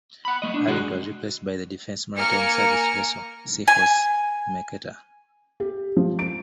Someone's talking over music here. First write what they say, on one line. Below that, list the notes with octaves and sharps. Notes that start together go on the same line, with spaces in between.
"Ardent" was replaced by the Defence Maritime Services vessel "Seahorse Mercator".
F#5 B5
A3 D#5
D4
C2 G#3 F#4 G#4 D#5 F#5
A#3 A#4 G#5 F6 C#7
G#5
G4
F3
D7